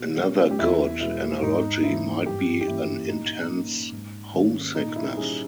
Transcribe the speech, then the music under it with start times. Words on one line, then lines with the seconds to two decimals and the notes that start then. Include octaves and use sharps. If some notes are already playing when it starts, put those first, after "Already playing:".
Another good analogy might be an intense homesickness.
Already playing: B2
0.17 G3 C#4
0.51 G4
0.59 E2 E4
1.01 B2 G#3 B3 E4
1.42 G#2 D#4
1.84 E3 A#3 C#4 E4
2.26 G2 G4
2.61 G4
2.67 E3 A#3 C#4 E4
3.09 A#2 D#4
3.51 A#3 C#4
3.92 G#2
4.34 D#3 A#3 C#4
4.75 A#2 D#4
4.96 E4
5.17 G3 C#4 G#4